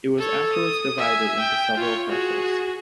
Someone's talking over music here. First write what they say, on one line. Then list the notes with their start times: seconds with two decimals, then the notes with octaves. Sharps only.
It was afterwards divided into several parcels.
0.18 A4 C#5
0.53 D#6
0.98 E5 G#5
1.40 G5
1.78 F4 C#5
2.09 F#4 G#4